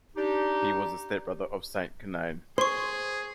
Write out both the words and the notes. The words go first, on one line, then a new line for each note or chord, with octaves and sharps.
He was a stepbrother of Saint Conainne.
D4 D#4 G4
G#4 C5 C6 C#6